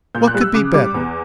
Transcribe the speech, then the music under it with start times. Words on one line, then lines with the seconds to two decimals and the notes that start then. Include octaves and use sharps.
What could be better?
0.15 A#2 G6
0.27 F#6
0.34 G3
0.41 E6
0.54 C#3 D6
0.74 G3 D6
0.94 E2